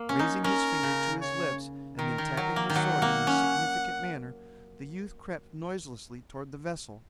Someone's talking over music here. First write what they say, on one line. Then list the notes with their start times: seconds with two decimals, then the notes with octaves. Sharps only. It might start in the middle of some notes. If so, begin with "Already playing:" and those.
Raising his finger to his lips and then tapping his sword in a significant manner, the youth crept noiselessly toward the vessel.
Already playing: A#3
0.09 C#4
0.19 D#4
0.44 C#4 A#4
0.83 C#3
1.22 C#5
1.99 D#3 A#4
2.18 D#3
2.37 F#3
2.56 A#3
2.70 D#3
2.75 F#3 F#5
3.02 A#3
3.27 C#4